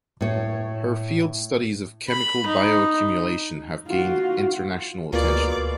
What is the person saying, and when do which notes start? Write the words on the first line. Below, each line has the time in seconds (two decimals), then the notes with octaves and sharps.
Her field studies of chemical bioaccumulation have gained international attention.
0.21 A2 C#5
2.09 B5
2.46 D#4
3.88 F4 F#4
5.13 D2 B2 A#3 F4 G#4 D5 D6